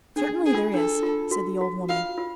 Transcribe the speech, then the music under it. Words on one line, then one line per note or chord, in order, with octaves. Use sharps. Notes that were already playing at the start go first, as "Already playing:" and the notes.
"Certainly there is," said the old woman.
D4 G#4
G#4
F4
D4 A4
F4
F#4
F#4
F4 F5
F4